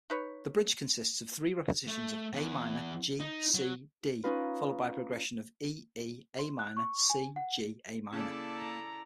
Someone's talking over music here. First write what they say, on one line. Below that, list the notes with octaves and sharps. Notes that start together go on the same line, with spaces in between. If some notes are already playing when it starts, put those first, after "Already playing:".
The bridge consists of three repetitions of Am-G-C-D followed by a progression of E-E-Am-C-G-Am.
D#4 B4 C#5
A3
E2
D#4
F#3
C#4 D#4 F4 B4
C6
F#6
C#6
G#5
F#5
C#3 A#3 E4 A4 D5 A5
A#5